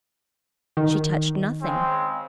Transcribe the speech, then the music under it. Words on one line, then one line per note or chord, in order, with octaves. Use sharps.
She touched nothing.
D#3
C#3 G#3 C4